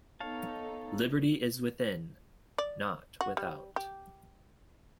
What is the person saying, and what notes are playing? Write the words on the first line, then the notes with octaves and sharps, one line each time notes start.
Liberty is within — not without.
B3 D#4 A4 C#5 F5 A5
D5
F#4
G3
G4